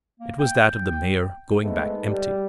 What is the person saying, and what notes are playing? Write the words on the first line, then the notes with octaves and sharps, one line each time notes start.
It was that of the mayor, going back empty.
A#3
G5
G#2 G#3 A3 B3
G3